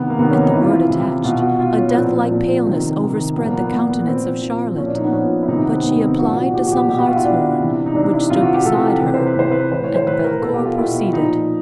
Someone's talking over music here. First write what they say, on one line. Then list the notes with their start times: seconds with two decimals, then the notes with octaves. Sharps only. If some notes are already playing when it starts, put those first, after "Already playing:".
At the word "attached" a death-like paleness overspread the countenance of Charlotte, but she applied to some hartshorn which stood beside her, and Belcour proceeded.
Already playing: C3 D#3 B3
0.10 A#3
0.18 C3 D#3 B3
0.30 C#4
0.43 D#4
0.54 C3 E3 E4
0.62 F4
0.71 E4
0.89 C3 E3
1.24 B2 F4
1.42 F#4
1.60 B2 F4
1.77 C#4
1.89 B3
1.95 A#2 F3 C4
2.31 A#2 F3
2.66 C3 D#3
3.01 C3 D#3
3.36 A#2 F3 B3
3.46 A#3
3.55 B3
3.71 A#2 F3 B3
3.89 B3
4.07 A#2 F3 C4
4.42 A#2 F3
4.77 A#2 F3 C#4
4.86 D4
4.95 D#4
5.04 B3
5.12 A#2 F3 C#4
5.43 E4
5.48 C3 D#3 D#4
5.64 B3
5.72 C4
5.83 C3 D#3 B3
6.01 C4
6.18 A#2 F3 F#4
6.36 F#4
6.54 A#2 F3 G4
6.67 F#4
6.72 G4
6.89 B2 G4
6.98 F#4
7.07 F4
7.16 E4
7.24 B2 D4
7.60 C3 E3
7.86 D#4
7.95 C3 E3 D4
8.13 E4
8.30 C3 E3 F4
8.42 F#4
8.54 G4
8.65 C3 E3 A4
9.01 C3 E3 B4
9.14 C5
9.26 B4
9.37 C3 E3 C5
9.52 B4
9.71 A2 E3 C5
9.84 C#5
9.96 C5
10.07 A2 E3 B4
10.24 A#4
10.42 B2 A4
10.54 G4
10.65 F4
10.77 B2 E4
11.06 E4
11.13 A#2 F3 D#4